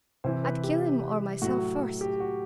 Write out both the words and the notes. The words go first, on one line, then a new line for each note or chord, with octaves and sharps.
I'd kill him or myself first.
C3 E3 C5
B4
G4
A2 F#3 F#4
G4
F#4